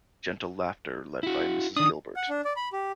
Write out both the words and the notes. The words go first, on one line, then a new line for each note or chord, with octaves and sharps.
Gentle laughter led by Mrs. Gilbert.
E4 F#4
D#3 D4 D#6
F#5
D4
D5
B5
G4